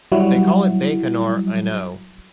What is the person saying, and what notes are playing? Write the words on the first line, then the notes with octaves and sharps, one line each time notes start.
They call it Baykonur, I know.
F#3 G3 E4 F#4